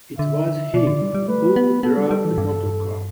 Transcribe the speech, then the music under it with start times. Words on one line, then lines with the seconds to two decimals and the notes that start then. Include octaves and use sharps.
It was he who drove the motor-car!
0.18 D3 E5
0.74 B2 D5
0.87 D3
1.02 G3
1.15 G3
1.28 A3 B4
1.56 B3
1.83 B3 A4
1.97 G3
2.11 G3
2.25 E3
2.38 G2